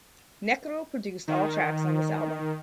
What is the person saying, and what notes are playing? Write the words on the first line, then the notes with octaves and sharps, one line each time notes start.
Necro produced all tracks on this album.
D#3